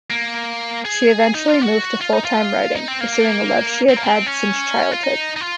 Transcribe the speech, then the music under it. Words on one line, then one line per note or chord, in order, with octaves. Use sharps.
She eventually moved to full-time writing, pursuing a love she had had since childhood.
A#3
G#4
D#4
F4
F#4
F4
D#4
F4
D#4
C4
A#3
C4
A#3
C4
C#4
F4
D#4
D#4
F4